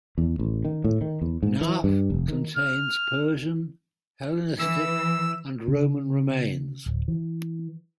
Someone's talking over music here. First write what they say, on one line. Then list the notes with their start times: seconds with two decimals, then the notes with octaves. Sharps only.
Nahf contains Persian, Hellenistic and Roman remains.
0.18 E2
0.39 A1
0.65 D#3
0.84 A2
1.01 D#3
1.22 E2
1.43 G#2
1.61 E3
1.84 G2
2.10 F1
2.29 D#3
2.56 F6
4.59 E3 E6
5.68 C#3
6.86 D1
7.08 E3